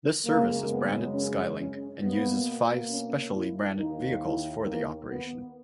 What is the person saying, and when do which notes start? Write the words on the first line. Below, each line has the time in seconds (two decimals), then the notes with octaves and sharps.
This service is branded 'Skylink' and uses five specially branded vehicles for the operation.
0.24 F#2 C#3 G#3 A#3
0.69 B3
1.12 C#4
1.57 C#4
2.01 B2 A#3 B3
2.89 C#4
3.32 E4
3.76 D#2 D#3 A#3 D#4
4.20 E4
4.65 A#3
5.08 B3